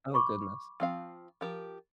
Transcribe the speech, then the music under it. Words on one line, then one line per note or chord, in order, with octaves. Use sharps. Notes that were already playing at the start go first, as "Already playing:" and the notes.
Oh goodness.
B5 C#6 D6
F3 C4 F5
F3 G4 A#4